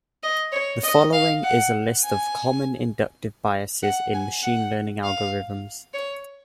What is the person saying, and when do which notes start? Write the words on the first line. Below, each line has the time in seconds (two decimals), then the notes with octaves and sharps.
The following is a list of common inductive biases in machine learning algorithms.
0.23 D#5
0.52 C#5
0.84 D#5
1.13 F5
1.44 F#5
2.03 G#5
3.83 F#5
4.14 G#5
4.43 F#5
5.03 F5
5.94 C#5